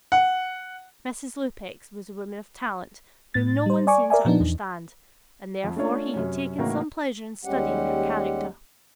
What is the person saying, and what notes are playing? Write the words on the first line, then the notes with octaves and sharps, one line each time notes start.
Mrs. Lupex was a woman of talent, whom no one seemed to understand, and, therefore, he had taken some pleasure in studying her character.
F#5
A2 A6
G3 C5
D5 G#5 C#6 D6
A#4 D5 E5 G#5
A#2 F3 B3 D4 D#4
E2
F2
A3 C#4 D4 F4 C#5
F#2 C3 C#4
A2 C#3 E3 A#3 D#4 F#4
D#2 G3 G#3 C#4 G4 F#5